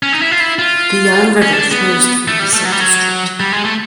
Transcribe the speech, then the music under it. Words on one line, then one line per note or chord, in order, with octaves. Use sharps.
The Yan River flows through the subdistrict.
C#4
D#4
E4
F4
E4
F4
C#4
D4
B3
A3
G3
A3
F#3
G3
F#3
G3
G#3
A3